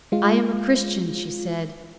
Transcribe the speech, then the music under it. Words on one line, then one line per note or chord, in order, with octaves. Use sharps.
'I am a Christian,' she said.
G#3 F4